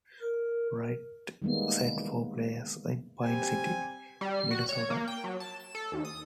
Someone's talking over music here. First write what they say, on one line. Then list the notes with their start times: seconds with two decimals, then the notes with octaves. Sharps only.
Wright set four plays in Pine City, Minnesota.
0.22 A#4
1.42 D#3 G3 G#3 A#3 B3
3.23 G3 C4 G4 G#5
4.21 G3
4.51 F#4
4.69 C#5
4.90 A#3
5.08 G5
5.24 F#3
5.40 A5
5.60 E7
5.75 A4
5.92 D#2
6.05 D#6